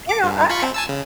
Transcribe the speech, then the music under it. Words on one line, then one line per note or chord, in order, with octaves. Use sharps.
You know, I I
D6
G2
F4 B5 C#6
C4
G#5 A5 E6
C#3